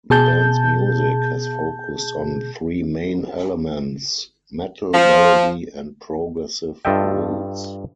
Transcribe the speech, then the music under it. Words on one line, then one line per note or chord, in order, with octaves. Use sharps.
The band's music has focused on three main elements: metal, melody, and progressive roots.
B2 G#4 A5 G6
F3
G2 F4 A4 D#5 E5 G5